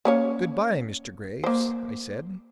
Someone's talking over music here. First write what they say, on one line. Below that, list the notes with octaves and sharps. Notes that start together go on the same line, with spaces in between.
"Good-bye, Mr. Graves!" I said.
A#3 C#4 C#5
A#3 C5